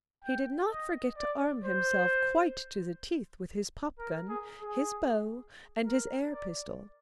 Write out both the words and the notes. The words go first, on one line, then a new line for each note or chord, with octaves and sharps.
He did not forget to arm himself quite to the teeth with his pop-gun, his bow, and his air-pistol.
G5
D#5
D5
C5
A#4
G#4
G#4
A#4
D5